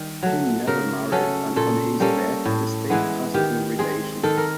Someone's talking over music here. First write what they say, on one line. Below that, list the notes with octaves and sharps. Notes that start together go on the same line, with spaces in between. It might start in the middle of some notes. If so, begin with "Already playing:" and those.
He never married and on his death the estate passed to a relation.
Already playing: D#3 G3
F#3 A3
C#3 A#4
F#3 A3 C#4 A4
A#2 A4
G3 A#3 C#4 A4
A2
E3 G#3 B3
D#3 G4
G#3 C4 G#4
D#3 A4
A#4